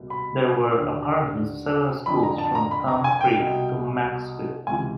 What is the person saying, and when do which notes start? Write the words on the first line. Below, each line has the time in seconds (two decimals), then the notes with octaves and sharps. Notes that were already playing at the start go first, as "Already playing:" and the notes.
There were apparently seven schools from Thumb Creek to Macksville.
Already playing: C2 B2
0.10 B5
0.76 D#2 D3
2.06 F2 D3 B5
2.23 A#5
2.38 A5
2.55 A#5
2.71 B5
2.88 A#5
3.04 G#5
3.21 G5
3.37 C2 B2
4.67 C#2 C3 E3 G#5